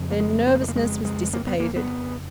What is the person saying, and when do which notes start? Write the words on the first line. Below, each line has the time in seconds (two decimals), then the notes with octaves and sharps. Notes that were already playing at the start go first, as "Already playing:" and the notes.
Their nervousness was dissipated.
Already playing: F2 C#3
0.11 A#3
0.20 G#3
0.47 B3
0.55 A#3
0.62 G#3
0.68 A#3
0.76 G#3
1.05 G#3
1.33 A#3
1.47 B3
1.60 A#3
1.76 B3